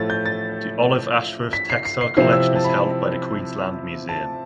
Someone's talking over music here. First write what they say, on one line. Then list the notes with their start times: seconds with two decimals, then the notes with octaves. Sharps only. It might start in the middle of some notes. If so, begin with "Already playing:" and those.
The Olive Ashworth Textile Collection is held by the Queensland Museum.
Already playing: A2 F3 A3 E4 A6
0.10 G6
0.26 A6
1.53 B6
1.70 C7
1.85 C7
2.01 C7
2.17 C3 F3 C4 E4 C7
2.33 E6
2.55 A5
2.65 B5
4.09 A5